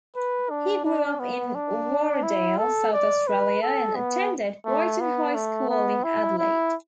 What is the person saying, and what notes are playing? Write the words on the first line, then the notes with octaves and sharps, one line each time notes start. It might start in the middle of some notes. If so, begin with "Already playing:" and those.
He grew up in Warradale, South Australia, and attended Brighton High School in Adelaide.
B4
D4
D4
B3
D4
E4
A4
D5
B4
A4
B3
A3
B3
A3
B3
E4
E4